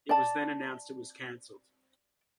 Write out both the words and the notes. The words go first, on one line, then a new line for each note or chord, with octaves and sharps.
It was then announced it was cancelled.
D5 A5